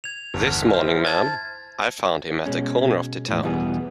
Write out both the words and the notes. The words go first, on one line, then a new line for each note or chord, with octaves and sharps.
This morning, ma'am; I found him at the corner of the town.
G#6 F7
G1 E2
F6
E4 C5 F6
A5 G#6 A6
B2 G#3 C#4
E2 A2
E2 B2 E3 G3 B3 G#4